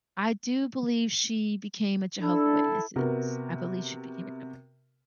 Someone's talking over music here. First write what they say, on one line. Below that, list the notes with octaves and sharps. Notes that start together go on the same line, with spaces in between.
I do believe she became a Jehovah Witnesses. I believe she became a Jehovah
D4 E4 A4
C3 B3 F#4 A#4